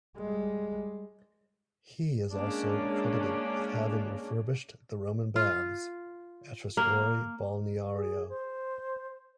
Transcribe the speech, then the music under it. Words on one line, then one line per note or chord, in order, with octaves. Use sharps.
He is also credited with having refurbished the Roman baths at Trescore Balneario.
G3 G#3
G#3 A#3 C#4 D4
F4
A#3
G#4
C5